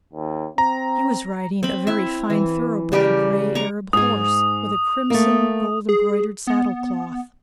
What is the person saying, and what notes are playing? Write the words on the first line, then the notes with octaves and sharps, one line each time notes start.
He was riding a very fine thoroughbred gray Arab horse with a crimson gold-embroidered saddlecloth.
D#2
C4 A#5
C4 B5
E4 E5
E3
C#3 G3 G4 A#4
A#5 C#6 D6
G#2 G#4 D#6
A3 A#3
G#4
B3